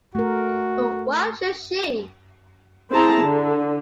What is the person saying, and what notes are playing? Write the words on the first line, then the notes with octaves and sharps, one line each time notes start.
But why should she?
A3 F#4 A#4
C4 E4 G#4 A5 A#5
D3